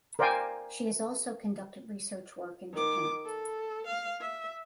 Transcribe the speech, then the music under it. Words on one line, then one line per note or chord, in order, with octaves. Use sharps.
She has also conducted research work in Japan.
A#4 C5 D5 F5 G5 G#5
D#3 D6
A4
F5
E5